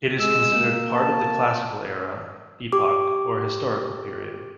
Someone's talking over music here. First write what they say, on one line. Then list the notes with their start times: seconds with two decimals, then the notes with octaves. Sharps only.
It is considered part of the Classical era, epoch, or historical period.
0.20 G#3 E6
0.54 A#3
0.94 A5
2.72 G4 D6